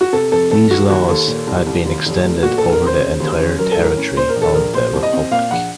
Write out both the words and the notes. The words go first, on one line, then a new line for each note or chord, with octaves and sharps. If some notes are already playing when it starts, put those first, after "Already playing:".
These laws had been extended over the entire territory of the republic.
F#4
C3 A4
F2 A4
A3 A4
D#3 F#4
D#2 F#4
D#2 A4
A#2
C2
C2
D#2
F1
A3
A#2 F#4
A#1 A4
A#4
C4 C5
C#3
D#2
C#4
F#3 A#4
A4
A2
A#4
C#4
A#2 C5
A#4
A#1
A4
A#1 A#4
A#2 C5
C2
D#5
C4
A#2 F5
A#1 F#5